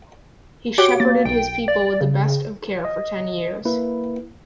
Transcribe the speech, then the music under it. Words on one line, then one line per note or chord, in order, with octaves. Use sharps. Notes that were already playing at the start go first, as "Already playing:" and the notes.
He shepherded his people with the best of care for ten years.
F#4 G4 C#5 D7
A#3 A6
B1 G5
D5
C#3
D#5
A#3 E4 B4